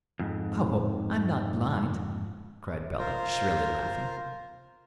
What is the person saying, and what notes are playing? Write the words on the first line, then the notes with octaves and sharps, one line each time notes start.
"Oh, I'm not blind!" cried Bella, shrilly laughing.
F2 G#2
F4 A#4 C5